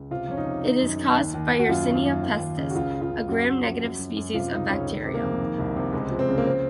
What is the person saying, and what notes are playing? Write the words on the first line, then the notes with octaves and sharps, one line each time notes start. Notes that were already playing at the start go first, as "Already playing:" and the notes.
It is caused by "Yersinia pestis", a gram-negative species of bacterium.
Already playing: C#2
C3 F4
F2 C#4
D#4
C3
D#3 D#4
F#2
D#3
D#2
D#2
D#2
F#4
F#2 F4
D#3
F#2
D#2
D#2
C#3
F#4
C#2 F4
C#2
F4
C#3
F#2 F#4
F#2
F3
F#2
F#2
F#2
C3 F4
C#2 D#4
C#2 C#4
D#3
C3
A#3
F2
D#3
C2
C3
C#2 G#3
F3
C4
C#3
A#3
C4